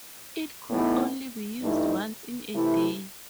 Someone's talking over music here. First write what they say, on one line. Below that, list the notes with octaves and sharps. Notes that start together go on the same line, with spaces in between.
It could only be used once in a day.
A2 E3 B3 D#4
G2 E3 A3 D#4
C3 E3 A3 E4